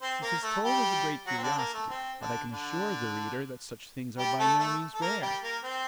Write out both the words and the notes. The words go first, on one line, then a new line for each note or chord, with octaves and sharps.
This is told as a great curiosity; but I can assure the reader that such things are by no means rare.
C4 C5
A#3 A#4
A3 A4
G3 G4
F#3 F#4
C4
D3 D4
A#3
A3
C4
D3 D4
D3 D4
G3 G4
A3 A4
A3 A4
A4
A#3 A#4
G3 G4
A#3 A#4
C4 C5